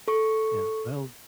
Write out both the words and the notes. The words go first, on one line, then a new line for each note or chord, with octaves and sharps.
Yeah, well
A4 C#6